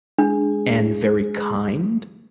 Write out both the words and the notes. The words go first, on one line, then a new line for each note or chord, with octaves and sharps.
and very kind,
G#3 D4